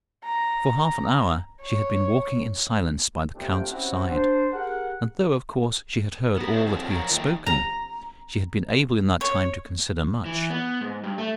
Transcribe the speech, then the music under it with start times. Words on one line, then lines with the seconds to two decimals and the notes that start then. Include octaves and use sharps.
For half an hour she had been walking in silence by the count's side; and though, of course, she had heard all that he had spoken, she had been able in that time to consider much.
0.24 A#5
1.60 C#5
3.35 D#2 C3 A3 D4 F4 G5
3.69 C4 C#4 E4 F#4 G4
4.10 D4 C5
4.53 G4 G#4 A#4 F#5
6.37 B3 A#4
6.52 D4 D#4 F4 F#4 C5
6.67 D3 F3 F#3 G#3 C4 D4
6.90 F3 F#3 A#4 C#5
7.11 D#3 A3 A#3 G5
7.46 A#5
9.21 C#5
10.26 E3
10.50 B3
10.81 G#2
11.04 G2
11.18 A3